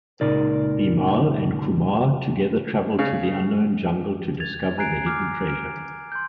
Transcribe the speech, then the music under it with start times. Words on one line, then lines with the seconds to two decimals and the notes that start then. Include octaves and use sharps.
Bimal and Kumar together travel to the unknown jungle to discover the hidden treasure.
0.21 C#2 A#2 D#4 A#4 D5
2.99 C#3
4.40 G#6 A6 F7
4.59 A6
4.78 G#5 A#5 F#6 G#6 C7 D7
5.06 D6 F6
5.48 F6 D7
6.12 C6 G6